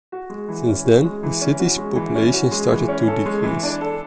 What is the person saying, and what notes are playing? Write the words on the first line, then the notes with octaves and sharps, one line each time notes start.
Since then, the city’s population started to decrease.
F#4
G#3
E3
C#4
F#4
G#3
E3
C#4
F#4
G#3
E3
C#4
F#4
G#3
E3
C#4
A4
G#3
E3
D4
A4